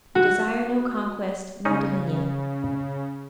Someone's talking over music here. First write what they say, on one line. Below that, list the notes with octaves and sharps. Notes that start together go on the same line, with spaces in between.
We desire no conquest, no dominion.
F#4
C#3 C#4 D#4